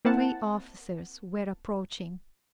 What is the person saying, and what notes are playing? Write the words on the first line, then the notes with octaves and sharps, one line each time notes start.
Three officers were approaching.
A#3 C4 E4 F#5 A5